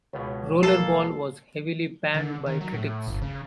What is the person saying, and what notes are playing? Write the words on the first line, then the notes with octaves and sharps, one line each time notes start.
"Rollerball" was heavily panned by critics.
C#2 B2 C#5
A#3 A4 C7
D3
D#3
F#3
A2
G1
C#3